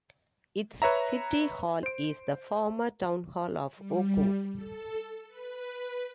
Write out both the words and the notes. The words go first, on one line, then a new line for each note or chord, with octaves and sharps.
Its city hall is the former town hall of Oku.
B4 C#5 E5 A#5
C5 D7
G3
A4
B4